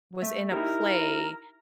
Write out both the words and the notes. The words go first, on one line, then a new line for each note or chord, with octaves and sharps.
was in a play,
A3 E5
D#4 E4 G4 A#4